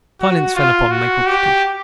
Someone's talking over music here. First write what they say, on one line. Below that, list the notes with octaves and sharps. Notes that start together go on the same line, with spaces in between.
Silence fell upon Maple Cottage.
F#4
F4
F#4
G4